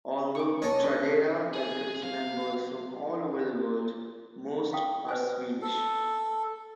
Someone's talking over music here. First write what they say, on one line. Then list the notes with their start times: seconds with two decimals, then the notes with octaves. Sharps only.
Although Tradera welcomes members from all over the world, most are Swedish.
0.35 C#6 D6
0.62 C#4 A4 D#5
0.83 D4 B4
1.53 G#4
2.03 F5
4.72 E4 F5 G5 D#6
5.09 B4 C5 G#5
5.62 A4